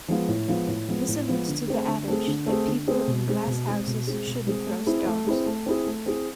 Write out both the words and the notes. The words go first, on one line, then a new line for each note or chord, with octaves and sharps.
This alludes to the adage that "people in glass houses shouldn't throw stones".
F3 G#3 B3 F4
A2
F3 G#3 B3 F4
A2
F3 G#3 B3 F4
A2
F3 G#3 B3 F4
D3
A3 C4 G#4
D3
A3 C4 G#4
D3
A3 C4 G#4
D3
A3 C4 G#4
B2
G#3 C4 G#4
B2
G#3 C4 G#4
B2
G#3 C4 G#4
B2
G#3 C4 G#4
A3
C4 E4 G#4
A3
C4 E4 G#4
A3
C4 E4 G#4
A3
C4 E4 G#4